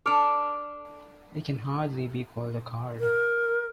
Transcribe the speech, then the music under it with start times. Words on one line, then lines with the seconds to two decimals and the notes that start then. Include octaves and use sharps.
It can hardly be called a card.
0.06 D4 A4 D6 F6 D7
3.00 A#4